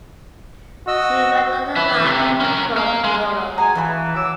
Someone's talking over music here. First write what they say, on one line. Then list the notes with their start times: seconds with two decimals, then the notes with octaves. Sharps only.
She worked on the latter pro bono.
0.88 F#4 D#5 E6
1.76 B4 E5
2.05 C3
2.40 C#4 A#4
2.76 A#4 F5
3.04 G#3
3.58 F#4 G#4 G#5 A#5
3.75 E3 F3 A3 B5
4.15 F#3 D6 E6